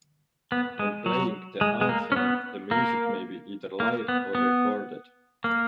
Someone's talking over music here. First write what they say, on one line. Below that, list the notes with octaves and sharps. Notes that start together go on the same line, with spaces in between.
When playing the anthem, the music may be either live or recorded.
B3
G#3
F#3
G#3
G#3
A#3
C#4
B3
A#3
A#3
B3
B3
A#3